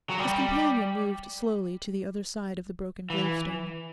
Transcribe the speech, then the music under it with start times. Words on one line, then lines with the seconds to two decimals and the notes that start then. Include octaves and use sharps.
His companion moved slowly to the other side of the broken gravestone.
0.10 F#3
0.19 G3
3.10 E3